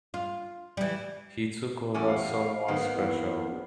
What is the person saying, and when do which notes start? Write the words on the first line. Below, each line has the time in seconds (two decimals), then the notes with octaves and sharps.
He took over someone special.
0.14 F4
0.77 E3 G3
1.94 E2 G3 C#4 D6
2.07 F5
2.68 B1 D#3 A#3 B3
2.94 E2
3.50 A#1